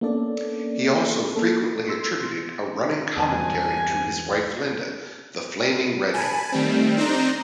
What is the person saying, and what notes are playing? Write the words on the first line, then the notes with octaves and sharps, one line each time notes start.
He also frequently attributed a running commentary to his wife Linda, "the Flaming Redhead".
A#3 B3 C#4 D4 A4 D5
A#3 A4
C6 E6
G1 E2 C3 B4 G#5 A5
G#5 A5 B5
D#3 G3 A3 C4
C4 D4 D#4 C5 A#5